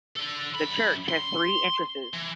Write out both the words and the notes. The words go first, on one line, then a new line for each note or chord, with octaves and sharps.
The church has three entrances.
A4 D5
F#2 B5
C6
E3